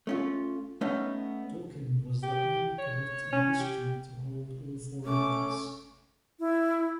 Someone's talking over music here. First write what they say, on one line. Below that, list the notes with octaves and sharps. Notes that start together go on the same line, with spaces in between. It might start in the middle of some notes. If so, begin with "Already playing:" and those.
Dawkins was the only cadet in history to hold all four at once.
A3 C#4 F4
A3 B3 C#4 D#4
G4
C#5
C#4
G4
A3 C#4 D6
E4